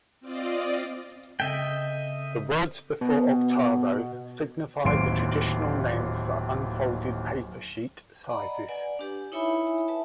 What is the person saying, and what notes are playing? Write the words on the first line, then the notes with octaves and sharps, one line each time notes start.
The words before octavo signify the traditional names for unfolded paper sheet sizes.
C4 F4 D5 D#5
C#3 C4 A4 D#5 E5 G5
B2 B3
D1 D#2 C6 D7
D5 D#5 F#5 A#5 B5
B4 D5 F#5 G#5
D4 G4 B4
D#4 E4 C#5 E5 G#5 B5
B4 E5 A5